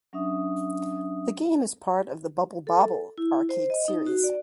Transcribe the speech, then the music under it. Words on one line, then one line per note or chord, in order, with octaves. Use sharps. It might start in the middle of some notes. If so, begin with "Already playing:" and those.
The game is part of the Bubble Bobble arcade series.
F#3 C#4 D4 E5 D#6
A4
E4
C5
D#5
D#4
F#4
D5